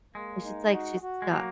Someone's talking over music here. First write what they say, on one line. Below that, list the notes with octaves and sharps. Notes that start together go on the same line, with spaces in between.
It's just like she's stuck.
G#3 A#3
D#4
F#4
F#4
G#3
F#3 A#3 F#4